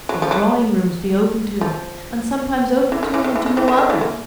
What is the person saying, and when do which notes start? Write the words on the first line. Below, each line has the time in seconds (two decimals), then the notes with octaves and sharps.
Would drawing-rooms be opened to him, and sometimes opened to him and to no other?
0.09 F#3
0.22 F3
0.31 F#3
1.61 F3
2.92 E3
3.03 D#3
3.14 E3
3.24 D#3
3.36 E3
3.46 D#3
3.57 E3
3.68 D#3
3.78 D#3
3.90 E3
4.01 A#3